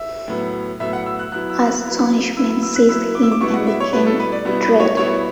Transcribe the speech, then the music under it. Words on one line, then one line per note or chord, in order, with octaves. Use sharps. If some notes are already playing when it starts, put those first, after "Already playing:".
Astonishment seized him and became — dread!
Already playing: E5
A2 F#3 B3
A2 F#3 B3 E5
F#5
E6
F#6
F#3 B3 E4 F#6
E6
F#6
F#3 B3 E4
F#3 B3 E4 E6
E6
E6
F#6
F#3 B3 E4 E6
D6
E6
D6
B2 G3 B3 E4 C#6
F#5
E5
C#5
B2 G3 B3 E4 B4
A4
B4
D5
B2 G3 B3 E4
B4
C#5
B2 G3 B3 E4 C#5